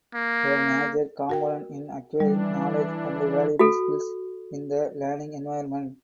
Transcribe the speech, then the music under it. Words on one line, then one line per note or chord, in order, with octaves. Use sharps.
A major component in acquiring knowledge and valuable skills in the learning environment.
A#3
F#4 A#4 G5
E3 G3 D4
F#4 A4